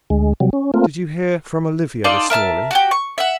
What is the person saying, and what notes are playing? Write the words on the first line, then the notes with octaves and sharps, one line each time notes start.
"Did you hear from Olivia this morning?"
D2 G#3
C3 F#3 G3
C#4
A3 A#3 C4 F4
D#4 F4 A4 D5
A#4 E5 A5 F6
F#4 G4 G5
C#6
E5 F#5